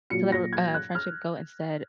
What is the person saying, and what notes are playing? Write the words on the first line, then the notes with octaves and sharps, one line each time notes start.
To let a r uh, friendship go instead.
A#2 F#3 C#7
A#6
G#6
F#6
F6